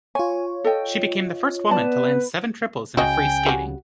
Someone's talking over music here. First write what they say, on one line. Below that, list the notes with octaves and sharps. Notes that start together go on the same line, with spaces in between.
She became the first woman to land seven triples in a free skating.
F4 C#5 G#5
A4 D#5 G5
B3 B4 D5 A5
C#2 C#3 F#4 D#5 G5 G#5
G3 F#4